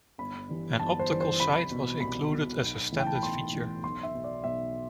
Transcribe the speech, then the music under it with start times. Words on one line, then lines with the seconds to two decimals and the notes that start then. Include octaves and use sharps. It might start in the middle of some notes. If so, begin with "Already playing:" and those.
An optical sight was included as a standard feature.
0.18 G1 B5
0.49 G2 E3
0.80 G1 A5
0.99 C5
1.09 G2 E3
1.21 C5
1.40 C2 B5
1.71 B2
2.01 C2 B5
2.31 B2
2.62 B1
2.92 A2 E3
2.99 G5
3.07 A5
3.15 B5
3.23 B1 C6
3.53 A2 E3
3.83 B1 C6
4.03 E5
4.14 B2
4.24 D5
4.44 B1 E5